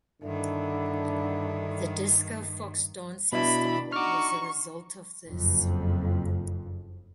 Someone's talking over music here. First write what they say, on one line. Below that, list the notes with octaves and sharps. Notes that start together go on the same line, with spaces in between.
The discofox dancing style was a result of this.
G2 D3 D#3 D4 E4
B2 D4 E4 B5
D#4 F#4 C#6 D6 F6
F#1 F2